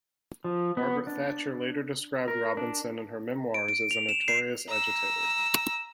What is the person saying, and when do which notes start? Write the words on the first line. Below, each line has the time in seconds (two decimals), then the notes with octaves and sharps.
Margaret Thatcher later described Robinson in her memoirs as a "notorious agitator".
0.44 F3
0.77 B3
1.07 D4
2.28 A#4
2.57 D4
3.54 D7
3.68 D7
3.91 F7
4.09 E7
4.28 C7
4.68 A#5 E6